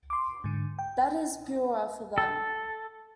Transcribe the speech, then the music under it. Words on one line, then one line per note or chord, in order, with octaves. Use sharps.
That is purer for them.
C6 D6
G#2 D3
G5
A4